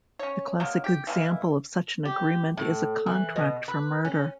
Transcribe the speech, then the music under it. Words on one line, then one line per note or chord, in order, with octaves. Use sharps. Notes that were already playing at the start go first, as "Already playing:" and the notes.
The classic example of such an agreement is a contract for murder.
C#4 C#5
F#3 G#3 A#3
G4
E3 G#3 A#3 E4
G4
A2
E3
B2
B4
C#4